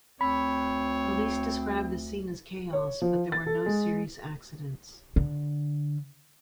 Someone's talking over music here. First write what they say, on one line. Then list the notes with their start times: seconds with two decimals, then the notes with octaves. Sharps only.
Police described the scene as chaos but there were no serious accidents.
0.21 D2 C4 C#5 B5
2.73 C#5
3.02 F3
3.32 A6
3.47 A4
3.66 G#3
5.16 D3